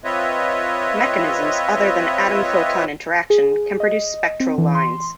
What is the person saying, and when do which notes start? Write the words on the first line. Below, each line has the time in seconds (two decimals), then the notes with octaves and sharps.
Mechanisms other than atom-photon interaction can produce spectral lines.
0.04 C4 F4 B4 C#5 D#5 E5
3.30 G#4
3.80 D#5
4.40 C4
4.58 E3
4.75 C6